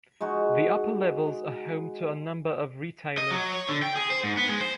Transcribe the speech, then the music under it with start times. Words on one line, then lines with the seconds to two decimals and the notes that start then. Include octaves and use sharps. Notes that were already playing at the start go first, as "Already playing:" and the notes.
The upper levels are home to a number of retailers.
0.21 G#3 D#4 F#4
3.18 D#5
3.31 F#3
3.52 C#5
3.69 D3
3.82 G5
3.96 G#4
4.10 C5
4.23 G#2
4.37 B3
4.49 G#3
4.61 C5